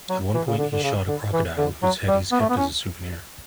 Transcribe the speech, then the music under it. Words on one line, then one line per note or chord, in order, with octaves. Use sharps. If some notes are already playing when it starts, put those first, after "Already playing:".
At one point, he shot a crocodile, whose head he kept as a souvenir.
F#3
E3
C#3
D3
D3
C#3
D3
E3
D3
F#3
G3
B3
A3
B3
C#4